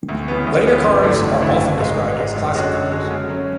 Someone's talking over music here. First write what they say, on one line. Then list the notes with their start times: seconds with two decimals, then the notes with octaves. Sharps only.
Later cars are often described as classic cars.
0.09 D2
0.28 C#3 E3 B3
0.46 D2
0.65 C#3 E3 B3
0.85 G#1
1.03 F#2 D3 A3 E4
1.22 G#1
1.40 F#2 D3 A3 E4
1.60 G#1
1.78 G#2 G#3
1.97 G#1
2.16 G#2 G#3
2.35 F#2
2.54 D3 G#3 C#4 F#4
2.73 F#2
2.91 D3 G#3 C#4 F#4
3.11 C#3
3.29 F#3 C#4